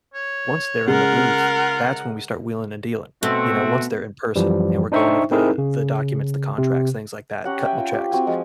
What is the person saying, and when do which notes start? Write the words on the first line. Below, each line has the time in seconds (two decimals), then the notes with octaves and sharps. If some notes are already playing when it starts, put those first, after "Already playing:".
once they're in the booth, that's when we start wheeling and dealing, you know? Once they're in person, and we're going over the the documents, the contracts, things like that cutting the checks.
0.14 C#5
0.88 C#3 G#3 F4 A#4 F#5
3.23 B2 A3 C4 F#4
4.36 F#2 E3 F3 G3
4.92 D4 D#4 C5 E5 G5 C#6
5.31 C4 D#4 E4 G#4 A#4
5.58 C#3
6.58 C3
7.45 C#4 G4 F#5 A#5
7.65 E5 G5 G#5
7.77 F4
7.91 G4 C5
8.11 C4 F#4 G#5
8.27 F3 G#3